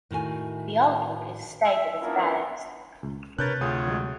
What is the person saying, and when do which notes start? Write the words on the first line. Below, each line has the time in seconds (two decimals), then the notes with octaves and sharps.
The outlook is stated as balanced.
0.11 A2 D#3 F#4 G#5
1.65 E5
2.02 B3 C#4 D4 E4 F4 A#4
3.03 C#2
3.38 C3 D4 A#4 B4 C#5 F#6 G6 A6
3.61 D2 F4 G#4 C#5 D#6
3.88 F#3 G#3